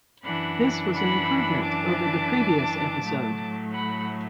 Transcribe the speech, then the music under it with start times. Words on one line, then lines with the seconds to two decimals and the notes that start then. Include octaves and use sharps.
This was an improvement over the previous episode.
0.23 F#2 E3 D4 F#5 B5
0.93 F#5 B5
1.62 A5 D6
3.02 A2 F#3 A3
3.72 F#5 B5